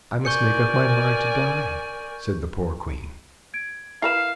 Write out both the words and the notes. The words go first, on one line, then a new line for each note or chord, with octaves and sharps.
"I must make up my mind to die," said the poor Queen.
A#4 D5 G#5 C#6 G6 C#7
G#6 D7
E4 A#4 B4 F5 C7 E7